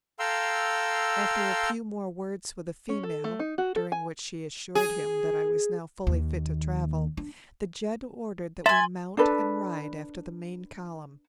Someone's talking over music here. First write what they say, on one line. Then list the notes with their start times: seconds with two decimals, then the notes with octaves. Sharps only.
After a few more words with the female, during which she assured him that I was now fully fit to travel, the jed ordered that we mount and ride after the main column.
0.19 A4 F5 G5 A#5 C6 E6
2.89 C#4
3.04 A4
3.24 A3
3.40 D#4
3.58 F#4
3.76 A4
3.92 G#5
4.75 G#4
6.07 D#2
7.17 D4
8.66 E5 G#5 A#5 C6 A6
9.17 D4 A4 B4